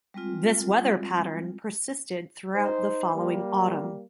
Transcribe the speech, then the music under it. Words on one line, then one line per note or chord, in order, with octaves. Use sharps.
This weather pattern persisted throughout the following autumn.
G3 G#3 C4 F4
D#4 C5
G3 A#3